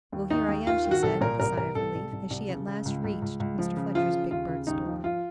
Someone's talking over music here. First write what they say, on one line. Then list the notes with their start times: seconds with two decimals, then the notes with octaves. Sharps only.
"Well, here I am," she said with a sigh of relief, as she at last reached Mr. Fletcher's big bird store.
0.12 D#2
0.30 D#2 D#4
0.48 D#2
0.67 D#3 F4
0.85 D#3
0.91 F#4
1.03 C2 A4
1.21 A#2 A#4
1.40 C2 A#4
1.58 C2 A#4
1.75 C2 A4
1.95 C2
2.13 C2
2.30 C2
2.49 C#3
2.67 C#3
2.86 C#2
3.04 C#2
3.22 C#2
3.40 C#2
3.58 F3
3.77 C#3
3.95 F3 F4
4.12 C#3
4.31 D#2 F4
4.49 C#3
4.67 D#2 D#4
4.86 F3
5.04 F3 F4